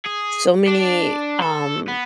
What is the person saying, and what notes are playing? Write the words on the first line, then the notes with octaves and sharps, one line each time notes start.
so many, um,
G#4
D4
A4
B3